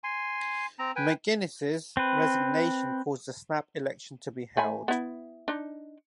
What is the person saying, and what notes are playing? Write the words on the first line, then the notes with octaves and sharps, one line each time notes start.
McGuinness's resignation caused a snap election to be held.
G#5 C6
C4 A#5
B4 G5 G#5
C4 B4
A3 G#5 B5
B3 E4
D4 D#4